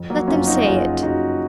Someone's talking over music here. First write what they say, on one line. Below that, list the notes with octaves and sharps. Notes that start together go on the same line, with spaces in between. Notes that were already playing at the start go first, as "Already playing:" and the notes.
Let them say it.
Already playing: F2
F#3 A#3
F#1 C#4 F4
D#4 F#4
F#1 F4 G#4
F#1 D#4 F#4